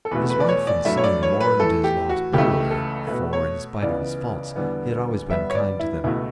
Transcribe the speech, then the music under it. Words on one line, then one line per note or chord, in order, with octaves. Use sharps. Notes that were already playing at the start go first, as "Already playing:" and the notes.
His wife and son mourned his loss bitterly, for, in spite of his faults, he had always been kind to them.
A4
E2 B2 A3 B4
B4
D5
C#5
D5
G2 F#3 A3 E5
C#5
D5
C#5
B4
A2 E3 A3 A4
G4
F#4
C#2 C#3 E3 A3 G4
A4
B2 A3 B4
C#5
C#2 C#3 E3 B3 D5
E2 D3 G3 B3
G2 D3 G3 B3 E5
C#5
D5
E4
C#2 B2 A3 E4